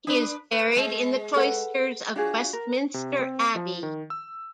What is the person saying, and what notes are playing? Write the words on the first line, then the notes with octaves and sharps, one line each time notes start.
He is buried in the cloisters of Westminster Abbey.
D4 B4
B4
G#3
A4 B4 F#5
D4 F4 F#4 G#4
A#4
C3
C4
F3
D#3
E6